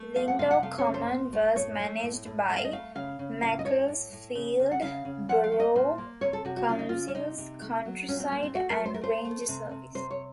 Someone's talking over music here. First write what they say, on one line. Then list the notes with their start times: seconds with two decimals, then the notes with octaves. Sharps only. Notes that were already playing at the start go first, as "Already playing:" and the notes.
Lindow Common was managed by Macclesfield Borough Council's Countryside and Ranger Service.
Already playing: A3
0.16 F3 F5
0.28 F#5
0.39 C3 F5
0.51 F#5
0.62 A3 F5
0.78 C#5
0.87 C#3
0.94 C5
1.09 A#2
1.33 A3
1.56 A2 C#5
1.80 A3
2.03 A2
2.26 A2
2.50 A3 F#5
2.57 F5
2.65 D#5
2.72 A3 F5
2.95 C#3 F5
3.19 C#3
3.42 A2 F5
3.59 D#5
3.65 A2 C#5
3.88 A2
4.12 A2
4.35 C#3
4.59 C#3
4.71 F#5
4.81 C#3 F5
5.05 C#3
5.29 F3 F#5
5.44 F5
5.52 A3
5.60 D#5
5.75 A#2 C5
5.98 A#3
6.21 C3 C#5
6.33 A4
6.45 C3 F#4
6.56 F#4
6.68 C#3 F4
6.79 D#4
6.89 C#3 F4
7.08 C#4
7.15 C3 D#4
7.38 C3
7.62 A3
7.85 F#3
8.09 A#2 C#4
8.20 C4
8.31 A#2 A#3
8.43 C4
8.55 A3 F#4
8.70 A#4
8.79 F#3
8.86 C5
8.94 A#4
9.01 A3 C5
9.25 A3
9.48 C3
9.71 C3
9.95 C3 C5
10.11 C#5